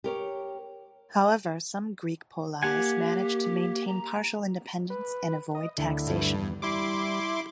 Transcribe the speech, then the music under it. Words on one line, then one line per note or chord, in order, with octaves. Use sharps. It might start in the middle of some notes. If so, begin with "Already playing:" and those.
However, some Greek poleis managed to maintain partial independence and avoid taxation.
G4 A#4 C#5
A#3 G4 F#5 G#5
A#5
B4
D#5
D2 D3 E4
G2
E2
G3 E4 C6 D6